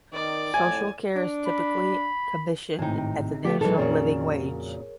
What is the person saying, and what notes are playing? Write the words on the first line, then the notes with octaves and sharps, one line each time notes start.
Social care is typically commissioned at the National Living Wage.
D#3 D5
F2 A2 G#5 G#6
D4
B5
G#1 A2 C3 D#4 G5 G#5
G5
F3 A3 B3 F4 G4 B6
A#2 D#3 E3 F#3 G#3 A4
F2 A#2 C#3 C#4 F#4 G#4 A#4 C#5